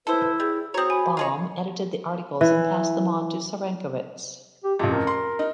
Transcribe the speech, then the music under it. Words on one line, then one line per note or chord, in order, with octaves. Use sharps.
Baum edited the articles and passed them onto Cyrankiewicz.
E4 A4 B4 C5
G3 G#4
C4 F#4 C#5 A#5 D#6
G#5 B5
F4 G#4 C#5 D#5
E3
G4
A1 F2 G4
A#4
C6
D#4